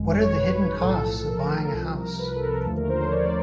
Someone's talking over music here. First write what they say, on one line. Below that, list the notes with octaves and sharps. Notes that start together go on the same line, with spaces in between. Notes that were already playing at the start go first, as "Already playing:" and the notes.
What are the hidden costs of buying a house?
Already playing: G#1 F#2 D#3 G#3
C#5
B4
B1 A2 F3 A4
A#4
A#4
C2 C3 F3 A4
A#4
B4
A4
A#4
D#2 D3 F3 A3 A4
A#4
C5
C#5
D5